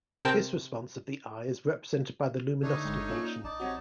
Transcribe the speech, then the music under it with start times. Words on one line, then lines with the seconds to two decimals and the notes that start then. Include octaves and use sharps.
This response of the eye is represented by the luminosity function.
0.25 C3 C4 A#4 G5 A5 G6
2.62 D3 A3 D4 D#4 C#5
2.85 G1 G#2
3.09 A#3 C#4 F4
3.44 A#1 D#4 D5 A5
3.60 G3 C4 F#4 C#5